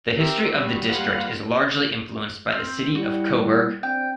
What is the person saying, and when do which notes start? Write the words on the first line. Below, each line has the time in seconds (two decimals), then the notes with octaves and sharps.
The history of the district is largely influenced by the city of Coburg.
0.16 C4 G4 A#4 E5
0.52 F#3 G3 B3 F#4
0.86 G3 A#3 F4 B4 F5 F#5
2.52 C4 F6
2.95 G3 E4 F#4
3.83 C4 D4 G5